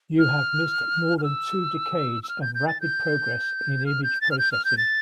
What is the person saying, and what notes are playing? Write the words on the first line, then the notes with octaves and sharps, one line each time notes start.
You have missed more than two decades of rapid progress in image processing.
F6
F6
E6
E6
F6
G6
G6
A6
G6
F6
G6
A6
F6
G6
F6
G6
A6